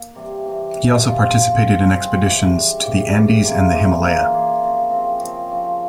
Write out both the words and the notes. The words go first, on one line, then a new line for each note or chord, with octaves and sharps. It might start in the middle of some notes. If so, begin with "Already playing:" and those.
He also participated in expeditions to the Andes and the Himalaya.
Already playing: A#3
C3 E3 G3
C3 E3 G3
C3 E3 G3
F3 C4 F4 G#4
F3 C4 F4 G#4
F3 C4 F4 G#4
F3 C4 F4 G#4
C#3 E3 G3
C#3 E3 G3
C#3 E3 G3
C#3 E3 G3
E3 A#3 F4 G#4
E3 A#3 F4 G#4
E3 A#3 F4 G#4
E3 A#3 F4 G#4
C#3 F3 C4
C#3 F3 C4
C#3 F3 C4
C#3 F3 C4